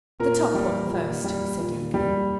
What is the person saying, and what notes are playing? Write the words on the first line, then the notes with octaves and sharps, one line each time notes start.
"The top one first," he said eagerly.
A#2 A#4
G3
A#2
G3
A#2
G3